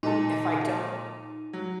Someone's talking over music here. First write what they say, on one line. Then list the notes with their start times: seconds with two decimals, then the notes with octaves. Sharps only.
if I don't
0.03 A#2 G#3 D#4 A4
1.53 F#3